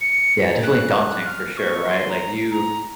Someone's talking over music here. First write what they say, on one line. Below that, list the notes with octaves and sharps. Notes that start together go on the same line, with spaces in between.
Yeah, definitely daunting for sure, right? Like you
C#7
F#6
F6
C#6
C6
A#5
A#5